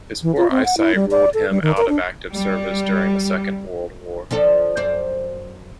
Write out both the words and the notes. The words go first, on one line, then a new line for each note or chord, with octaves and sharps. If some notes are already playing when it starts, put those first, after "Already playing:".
His poor eyesight ruled him out of active service during the Second World War.
E3
F4
C4
F#5
E4
G3
D5
A4
G3
D#3
A#4
D4
G3
F3 D4 A4
F#2 C5 D5